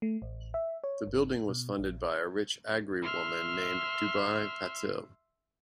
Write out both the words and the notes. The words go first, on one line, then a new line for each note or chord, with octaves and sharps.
The building was funded by a rich Agri woman named Deubai Patil.
A3
A1
E5
C#5
G1
B2
A#1
E5 C6 F6